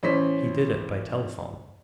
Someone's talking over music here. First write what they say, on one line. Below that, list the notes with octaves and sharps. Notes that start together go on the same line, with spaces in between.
He did it by telephone.
A1 C#4 C5 B6